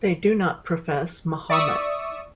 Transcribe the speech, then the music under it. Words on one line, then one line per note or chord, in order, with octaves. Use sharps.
They do not profess Mahomet.
D5 E5 C#6 D#6 E6